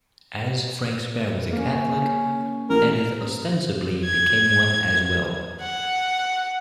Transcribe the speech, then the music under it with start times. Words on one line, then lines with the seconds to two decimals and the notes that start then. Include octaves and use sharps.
As Frank Spare was a Catholic, Edith ostensibly became one as well.
1.53 A#3 C#4
2.69 A1 A#4
4.05 G#6
5.60 F#5